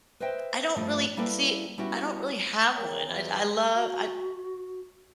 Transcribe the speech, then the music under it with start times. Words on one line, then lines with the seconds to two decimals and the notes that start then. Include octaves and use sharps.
I don't really see, I don't really have one. I I love I I I
0.20 B4 C5 D#5 E5 G5
0.76 G2 F3 G3 A3
1.17 G3 A#3 E4 A4 B4 D5
1.78 G3 B3 C#4 E4 F#4 G4
2.75 E2 A#4 C#5 G5
3.07 E2
3.75 F#4